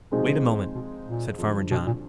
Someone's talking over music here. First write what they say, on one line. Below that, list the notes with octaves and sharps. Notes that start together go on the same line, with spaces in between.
"Wait a moment," said Farmer John.
B2 F3 G#3 C4 D#4 G#4
B2
A#2
F2 D3 G3
B2
A#2